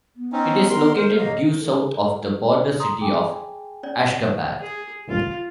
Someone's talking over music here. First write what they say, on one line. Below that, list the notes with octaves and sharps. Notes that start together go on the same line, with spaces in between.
It is located due south of the border city of Ashgabat.
B3
C4 C#4 D#4
A#4 C6
A#4 C5
F#3 A#3 D#5 F5
A4 A#4
A#5 C6 D#6
G#4 G5 G#5
C#4 C#5 D5
G#4
F4